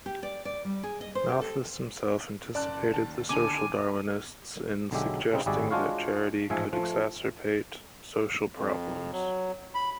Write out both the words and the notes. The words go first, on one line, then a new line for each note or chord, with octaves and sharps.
Malthus himself anticipated the social Darwinists in suggesting that charity could exacerbate social problems.
G4
D5
D5
G3
G#4
D#5
C5
G4
A4
F#1 D5 A5 F#6
D#2 A5
D3 C#4 G#5 A5 D6
B1 D3 F#3 G#3 G4 E5
C#3 G3 C4 D#4
G#1 G3 F#4 G#4 D5 E5
G#3 D4 F4 F#4 C#5 F5
A1 G#2 F3 E5 G#5
F3 A3
F2
F#3
B5